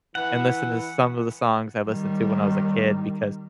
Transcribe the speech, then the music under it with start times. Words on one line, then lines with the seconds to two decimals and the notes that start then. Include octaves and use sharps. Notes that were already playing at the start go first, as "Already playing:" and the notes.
and listen to some of the songs I listened to when I was a kid because
0.15 E3 B4 F#5
1.87 D#3 G3